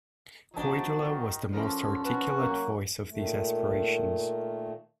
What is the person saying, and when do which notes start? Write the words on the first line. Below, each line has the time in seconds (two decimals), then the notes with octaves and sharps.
Koidula was the most articulate voice of these aspirations.
0.54 F3 B3 D4 D#4 F#4
0.98 D#3
1.53 D3 F3 C#4 A#4
2.05 B3 F#4
2.40 F#3 A#3
3.09 A#2 D#3 A3